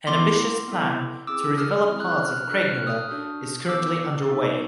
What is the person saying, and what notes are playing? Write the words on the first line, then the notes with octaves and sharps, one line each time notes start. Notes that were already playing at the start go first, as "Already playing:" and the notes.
An ambitious plan to re-develop parts of Craigmillar is currently underway.
B3 E4 A4 C6 D6
B3 E4 A4
C4 E4 G#4 D6 E6
D#6 F6
C4 E4 G#4 F6
F#6
F6
F#6
F6
D4 F#4 A4 F#6
F6
F#6
D#6 F6
D4 F#4 A4
B3 D#4 F#4 A4 D6 E6
B3 D#4 F#4 A4